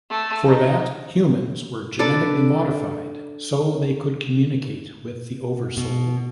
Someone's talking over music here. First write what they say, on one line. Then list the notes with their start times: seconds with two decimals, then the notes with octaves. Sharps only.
For that, humans were genetically modified so they could communicate with the Oversoul.
0.10 A3
0.46 D#4
1.99 D4 A4 B4 D5
5.77 B2